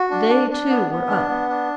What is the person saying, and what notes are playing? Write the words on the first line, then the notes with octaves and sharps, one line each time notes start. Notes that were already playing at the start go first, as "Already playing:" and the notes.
They, too, were up.
Already playing: F#4
D4
D4
D4
B3
B3
D4
B3
D4